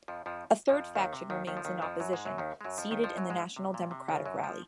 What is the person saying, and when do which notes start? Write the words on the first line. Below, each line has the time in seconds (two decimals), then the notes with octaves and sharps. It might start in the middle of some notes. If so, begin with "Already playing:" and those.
A third faction remains in opposition, seated in the National Democratic Rally.
0.08 F2 F3
0.26 F2 F3
0.69 F2 F3
0.95 D#2 D#3
1.13 C3
1.30 D#2 D#3
1.47 D#2 D#3
1.57 F3
1.65 D#2 D#3
1.82 F2 F3
2.00 F#2 F#3
2.13 G#2 G#3
2.25 F#2 F#3
2.38 D#2 D#3
2.61 G#3
2.64 F#2 F#3
2.78 F2 F3
2.91 D#2 D#3
3.04 F2 F3
3.17 F#2 F#3
3.30 G#2 G#3
3.56 C3
3.74 A#2
3.91 C3
4.09 C#2 C#3
4.26 F#2 F#3
4.44 F3